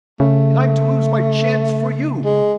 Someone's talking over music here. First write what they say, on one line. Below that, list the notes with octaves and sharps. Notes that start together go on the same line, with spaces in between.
And I'm to lose my chance for you!
C#3 A3
G#3